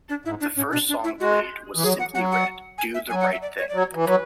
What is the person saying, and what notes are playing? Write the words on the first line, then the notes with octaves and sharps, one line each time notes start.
The first song played was Simply Red - Do The Right Thing.
D4
G#2 E4
D4
A2 C#4
B2 D4
D4
E4
G#3 F#4
E3
F#3 G#4
F#5
F#3 F#5
F#5
G#5
E5
F#3 G#5
F#5
E5
D5
C#5
D5
F#3 C#5
E3
F#3 B4